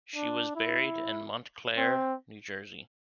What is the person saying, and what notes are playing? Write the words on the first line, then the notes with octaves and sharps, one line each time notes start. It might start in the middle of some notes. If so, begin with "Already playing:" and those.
She was buried in Montclair, New Jersey.
D4
E4
C4